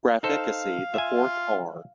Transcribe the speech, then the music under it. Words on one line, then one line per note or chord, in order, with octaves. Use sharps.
Graphicacy; The fourth 'R'?
D#4 A4 C5 F5
F4 E5 G#5